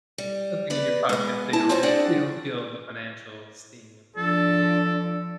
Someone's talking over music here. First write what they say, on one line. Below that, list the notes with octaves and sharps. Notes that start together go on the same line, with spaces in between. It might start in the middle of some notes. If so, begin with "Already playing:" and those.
something in your pocket so you don't you don't feel the financial sting when you need to relax.
G3
B3 B4 D5
G#3 B3
G#3 E4 A5
C4 C#4 F4 F#4 C5 C#5
C4 D4 G#4 D5 F#5
F3 D4 A4